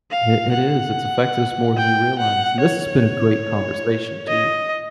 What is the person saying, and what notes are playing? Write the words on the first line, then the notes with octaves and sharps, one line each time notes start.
It it is it's affected us more than we realize, and this has been a great conversation too.
F5
F#5
G5
F#5
C#5
D#5